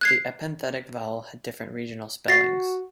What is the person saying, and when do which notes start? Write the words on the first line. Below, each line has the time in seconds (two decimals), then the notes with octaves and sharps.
The epenthetic vowel had different regional spellings.
0.01 F#6 G#6 C7
2.28 F#4 A6 A#6 C7